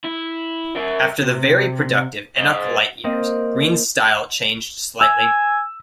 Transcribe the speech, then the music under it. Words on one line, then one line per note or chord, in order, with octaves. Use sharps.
After the very productive Enoch Light years, Green's style changed slightly.
E4
A#4 E5
C3
C5 D#5
A#3 C4 D#5
G#5 E6